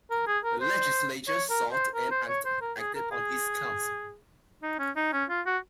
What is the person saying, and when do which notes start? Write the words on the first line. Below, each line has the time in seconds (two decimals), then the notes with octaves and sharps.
The legislature sought and acted on his counsel.
0.10 A#4
0.27 G#4
0.44 A#4
0.61 C5
1.27 C#5
1.50 A#4
1.72 C5
1.95 A#4
2.11 C5
2.28 C#5
2.45 C5
2.61 A#4
2.78 G#4
2.95 A#4
3.11 G#4
4.62 D#4
4.79 C#4
4.96 D#4
5.13 C#4
5.29 F4
5.46 F#4